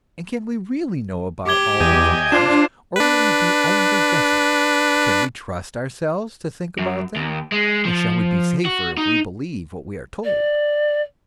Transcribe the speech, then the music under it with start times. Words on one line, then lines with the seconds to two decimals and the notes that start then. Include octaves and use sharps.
And can we really know about all these matters, or will we be only guessing? Can we trust ourselves to think about them, or shall we be safer if we believe what we are told?
1.48 G4 D6 G#6 G7
1.80 E2 D#5 G5 G#5
2.32 D4 F4 C5 E7
2.96 D4 B4
6.79 F#2
7.16 D#2
7.52 G#3
7.85 F3
8.65 F#4
8.97 D#4
10.24 D5